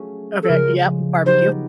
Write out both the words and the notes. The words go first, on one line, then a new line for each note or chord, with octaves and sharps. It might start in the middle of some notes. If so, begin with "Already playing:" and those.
Okay. Yep. Barbecue.
Already playing: F#3 A3 C#4 F4 G#4
A4
C#3 F3 G#3 A#4
F#3 B3 D#4 G4 C5